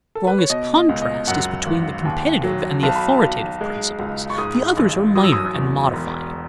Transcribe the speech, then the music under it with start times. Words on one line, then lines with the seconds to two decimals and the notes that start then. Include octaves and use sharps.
The strongest contrast is between the competitive and the authoritative principles; the others are minor and modifying.
0.15 A4
0.27 B4
0.38 C#5
0.50 B2 D#5
0.76 D#5
0.89 C#2
1.02 D#5
1.28 F#2 F#5
1.66 G#1
2.05 D#2
2.44 F#3
2.83 B1 A5
2.95 B5
3.07 A5
3.22 B1
3.61 G#3
3.99 C#2
4.30 C#6
4.38 G#2 D#6
4.77 A1
5.15 F#3 D#6
5.24 E6
5.32 D#6
5.54 E2
5.94 E1